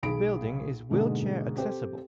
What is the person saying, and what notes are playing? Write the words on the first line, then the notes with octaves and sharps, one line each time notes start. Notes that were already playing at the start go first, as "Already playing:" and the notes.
The building is wheelchair accessible.
B1 G#4 B5 D7
G#2 B2 D3 G#3 A#3
C4 G4 A4 C5